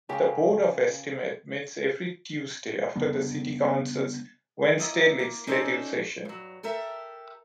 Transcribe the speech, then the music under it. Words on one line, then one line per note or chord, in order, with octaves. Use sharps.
The Board of Estimate meets every Tuesday after the city council's Wednesday legislative session.
C#3 G4 A#4
C#3 G3 B3 D4
D#2 A#3 E4 D#5
A#3
C#4 D#4 A4 C5 D5
G2 F#3
G4 A4 A#4 E5